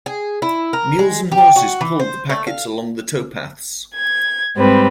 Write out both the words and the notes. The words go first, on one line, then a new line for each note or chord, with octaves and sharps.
Mules and horses pulled the packets along the towpaths.
G#4
E4
A#4
G#3
G4
F#4
E3
C5
A3
F5
G#6
G#2 G3 C4 B4